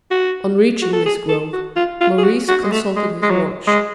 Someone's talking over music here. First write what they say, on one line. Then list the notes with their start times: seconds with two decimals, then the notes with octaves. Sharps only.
On reaching this grove, Maurice consulted his watch.
0.11 F#4
0.82 F#4
0.93 A4
1.06 G#4
1.28 A4
1.53 F#4
1.76 F4
2.01 F4
2.18 G#4
2.24 F#4
2.48 F#4
2.63 G#3
2.71 A3
2.96 G#3
3.23 G#3
3.31 F#3
3.67 G#3